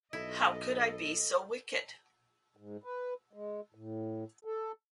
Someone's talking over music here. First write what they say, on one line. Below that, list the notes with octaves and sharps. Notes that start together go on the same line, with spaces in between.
How could I be so wicked?
B1 E4 A4 D#5
G#2
B4
G#3
A2
A4